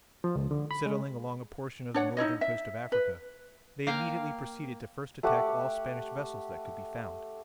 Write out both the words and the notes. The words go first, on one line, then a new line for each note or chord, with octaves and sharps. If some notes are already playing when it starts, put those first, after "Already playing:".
Settling along a portion of the northern coast of Africa, they immediately proceeded to first attack all Spanish vessels that could be found.
F3
C#2
D3
B5
G#3
D4 C#5 F#5
D#4 E4 C#5 D#5
E5
B4
A#3 F5 G5
A3 G4 F#5 D6